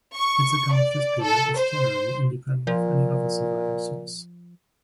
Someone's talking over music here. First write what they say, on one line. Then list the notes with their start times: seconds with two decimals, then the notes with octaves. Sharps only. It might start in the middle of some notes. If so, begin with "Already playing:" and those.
Its account of this period is generally independent of any other surviving source.
0.15 C#6
0.73 D5
1.23 A4
1.58 C5
2.67 A#2 F3